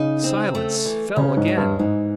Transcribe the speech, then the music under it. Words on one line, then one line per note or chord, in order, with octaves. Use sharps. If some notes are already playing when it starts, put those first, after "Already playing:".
Silence fell again.
Already playing: C#3 D#4
C4
A3
E3
C#3 C#4
G#2
G#3
G2
G#2 E3